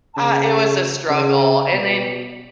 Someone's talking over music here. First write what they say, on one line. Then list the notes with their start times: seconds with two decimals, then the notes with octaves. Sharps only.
uh, it was a struggle, and then,
0.17 C#3
1.10 C#3
1.73 B2